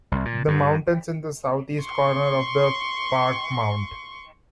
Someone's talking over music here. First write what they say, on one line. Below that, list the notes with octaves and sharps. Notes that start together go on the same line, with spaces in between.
The mountains in the southeast corner of the park-Mt.
C2
A#2
G2
C6 C#6